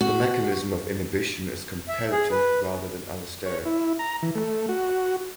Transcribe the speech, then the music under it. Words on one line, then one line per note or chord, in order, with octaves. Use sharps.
The mechanism of inhibition is competitive rather than allosteric.
F#4
E5
G#4
B4
C#5
E4
A#5
E3
A3
F#4